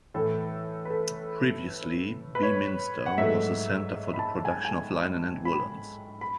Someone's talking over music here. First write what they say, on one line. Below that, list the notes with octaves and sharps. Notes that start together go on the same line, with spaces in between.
Previously Beaminster was a centre for the production of linen and woollens.
A2 E3 A3 A4
B4
A4
B4
C#5
F#5
G#2 F#3 A3 E5
B5
A5
G#5
G#5
A5
B5
B5